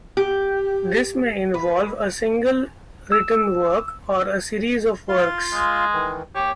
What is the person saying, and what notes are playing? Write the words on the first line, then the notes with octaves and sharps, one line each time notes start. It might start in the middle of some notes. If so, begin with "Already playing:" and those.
This may involve a single written work, or a series of works.
G4
B4
E6
F4 F5 C6
G#3
D#3 E3
D#2 G4 C#5 C#6